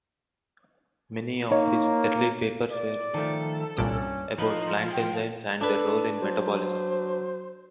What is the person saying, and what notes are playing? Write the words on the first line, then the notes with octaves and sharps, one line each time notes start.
Many of his early papers were about plant enzymes and their role in metabolism.
A#3 D#4 C#5
D5
D#3 F3 A3 A4
C2 G2 A#2 C#4 D4 D6
F3 D#4 B4
G5
D4 A4 B4
F#3 C5